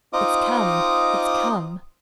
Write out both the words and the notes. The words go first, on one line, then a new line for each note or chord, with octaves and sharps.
It's come--it's come!
C4 D#4 F4 D#5 D6 D#6